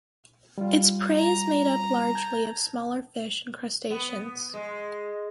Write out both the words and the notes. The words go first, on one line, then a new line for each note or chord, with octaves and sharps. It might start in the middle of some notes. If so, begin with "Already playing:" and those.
Its prey is made up largely of smaller fish and crustaceans.
G3 F4
A#5
A5 G6 G#6
B3
G#3